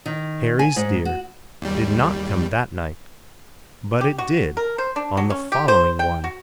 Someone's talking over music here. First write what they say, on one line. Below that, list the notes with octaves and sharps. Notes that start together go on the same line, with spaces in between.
Harry's deer did not come that night, but it did on the following one.
D#3
G#5
G#2
F#4
D#2 G3
G4
F#4
A#4
C5
D4
F#3
C#4
G4
C5
G5
F#4